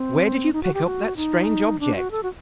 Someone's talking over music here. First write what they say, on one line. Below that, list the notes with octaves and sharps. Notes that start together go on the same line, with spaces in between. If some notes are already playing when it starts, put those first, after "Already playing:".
'Where did you pick up that strange object?
Already playing: C4
D#4
F#4
G4
F#4
D#4
D4
F#4
A4
F#4